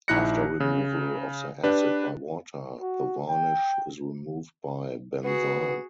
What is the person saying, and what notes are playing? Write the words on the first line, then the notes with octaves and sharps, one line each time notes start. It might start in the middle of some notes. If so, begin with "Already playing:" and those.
After removal of the acid by water the varnish is removed by benzine.
A#1 D#4 E4 F#6 A#6 C#7
C#3
D4 G4 B4
F#4
G5
B3 F#4 G#4